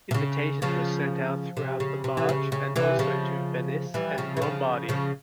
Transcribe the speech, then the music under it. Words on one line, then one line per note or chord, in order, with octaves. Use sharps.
Invitations were sent throughout the March and also to Venice and Lombardy.
C3
C#3
C#3 F3
C3
C#3
C3
E3
C#3
C#3
C3 E3
C#3 F3
E3 G3
C#3 F3
E3
C#3 F3
C#3 F3